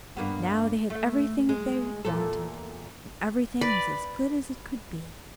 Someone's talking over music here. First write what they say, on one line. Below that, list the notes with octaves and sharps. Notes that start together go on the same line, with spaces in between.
Now they had everything that they wanted, and everything was as good as it could be.
G2 A#3 B3
A3
G#3
E2 A#2 A4
B4 D5